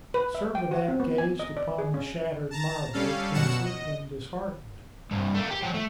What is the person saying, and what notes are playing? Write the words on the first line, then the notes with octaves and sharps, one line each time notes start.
Servadac gazed upon the shattered marble, pensive and disheartened.
B4
E5
G5
F#4
C4
B3
G#5
D#5
D5
G#4
C#4
A5 A#5
G3 C#4 A4 F5
F#2 B2 F#4 F#5 C#7 E7
D#5
C2 G2
A3 A#3
G4
F3 F#3
A3